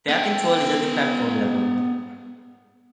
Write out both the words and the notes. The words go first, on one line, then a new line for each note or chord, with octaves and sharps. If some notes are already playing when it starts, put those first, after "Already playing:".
Fare control is at the platform level.
B3 G5